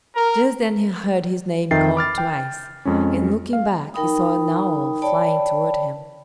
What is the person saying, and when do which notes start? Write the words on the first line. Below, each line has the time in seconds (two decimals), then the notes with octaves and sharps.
Just then he heard his name called twice, and, looking back, he saw an owl flying toward him.
0.15 A#4
1.71 F2 D#3 E5 G5 A6 C7
1.95 B5 D6 F6 A6
2.18 G5
2.85 F2 G#3 C#4
3.53 F5
3.94 D#4 A#4 G5 B5 D#6
5.02 C#5 D5 G5 A5 B5